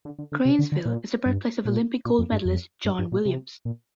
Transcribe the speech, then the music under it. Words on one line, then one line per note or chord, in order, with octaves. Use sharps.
Cranesville is the birthplace of Olympic gold medalist John Williams.
D3
D3
D3
C3
D3
D3
A#2
G2
A#2
A#2
F2
G2
F2
G2
G2
A#2
C3
A#2